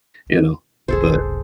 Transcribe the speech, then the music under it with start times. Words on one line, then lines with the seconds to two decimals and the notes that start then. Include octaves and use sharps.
you know, but
0.88 F1 B1 G#4 A4 C5